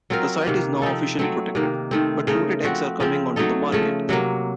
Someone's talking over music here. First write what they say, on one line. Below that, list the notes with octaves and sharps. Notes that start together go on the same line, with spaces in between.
The site is now officially protected, but looted eggs are coming onto the market.
F#3 C4 F4 A#4
C3 D#3 A#3
F3 C4 D#4 A4
F#3 A3 C4
C3 D#3 A#3
D#3 A3 C4
C#3 A3 D#4 A#4
F3 C4 F#4
C#3 F3 C4
F#3 A3 D#4 A4
C#3 F3 A3
C3 F#3 A#3